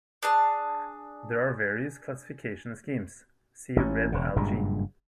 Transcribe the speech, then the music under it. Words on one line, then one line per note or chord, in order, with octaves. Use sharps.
There are various classification schemes; see Red algae.
D4 G#4 A5
A1 C#4
E1 C#3
F#1 G2 A#2 G#3